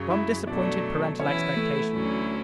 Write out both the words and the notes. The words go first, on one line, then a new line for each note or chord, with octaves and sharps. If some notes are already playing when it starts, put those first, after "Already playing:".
Rum disappointed parental expectation.
Already playing: F#2 C#3 F#3
E4 E5
B2 F#3 A3 D4 D5
E3 B3 C#4 E4 C#5
A3 A4
D2 D3 F#3 C#4 E4